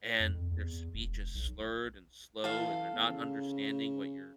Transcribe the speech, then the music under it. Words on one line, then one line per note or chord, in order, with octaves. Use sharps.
and their speech is slurred and slow, and they're not understanding what you're
F2
F2
E2
E1
B1
E3 A4 F5
E2
C#3